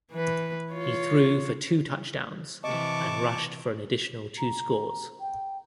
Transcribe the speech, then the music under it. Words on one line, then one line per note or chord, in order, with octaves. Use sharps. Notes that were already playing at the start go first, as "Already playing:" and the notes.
He threw for two touchdowns and rushed for an additional two scores.
E3 B4
F4 C#5
C3 E3 D#5 A5 C#6 D6
A#5
G5